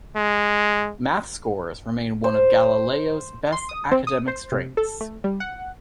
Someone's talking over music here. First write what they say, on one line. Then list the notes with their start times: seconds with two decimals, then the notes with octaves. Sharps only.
Math scores remain one of Galileo's best academic strengths.
0.16 G#3
2.24 C5
3.52 C6
3.69 D#6
3.92 C4
4.07 D#6
4.28 C5
4.52 C3
4.77 A4
5.01 A3
5.24 G3
5.40 F#5